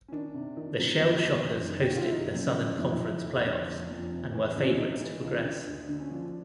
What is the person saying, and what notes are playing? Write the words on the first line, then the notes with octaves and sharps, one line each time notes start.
The Shell Shockers hosted the Southern Conference playoffs and were favorites to progress.
C#4
D#3 D4
C3
D#3
F#3
F#3
E2
F#1
D#3
G4
D#3 F#4
F4
E4
F#1 D#4
F#2
F#2
F2 E4
D#4
F1 E4
F1
D3
F1
F2
C3
E3
C#2 C#4
D4
C3 D#4
E3
C#2
D3
D2
D3
C#4
F3 D4